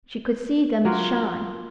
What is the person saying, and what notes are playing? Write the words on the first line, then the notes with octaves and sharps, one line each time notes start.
She could see them shine.
F#3 A#3 F4